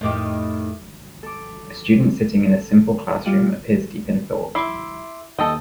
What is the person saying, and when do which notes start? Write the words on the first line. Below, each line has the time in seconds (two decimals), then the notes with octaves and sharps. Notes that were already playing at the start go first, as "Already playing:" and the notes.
A student sitting in a simple classroom appears deep in thought.
0.01 F2 A2 D#3 G4 D6
1.23 A4 D6
2.49 A4
3.25 G3 F4 D5
4.55 E4 E5 C6 D6
5.39 D#2 A4 D#5 G5 D#6